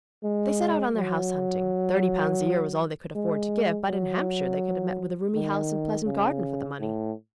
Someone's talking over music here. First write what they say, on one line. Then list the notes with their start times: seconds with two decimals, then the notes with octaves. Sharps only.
They set out on their house-hunting. Thirty pounds a-year was all they could afford to give, but in Hampshire they could have met with a roomy house and pleasant garden for the money.
0.24 G#3
0.96 F#3
3.15 G#3
3.88 F#3
5.35 D#3
6.06 C#3
6.80 A2